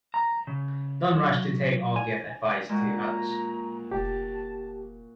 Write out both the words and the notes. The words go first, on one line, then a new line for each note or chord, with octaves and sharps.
Don’t rush to take or give advice to others.
A#5
C#3
F#3
G#5
A#2 G#3 F#4 A#5
F1 G4 A5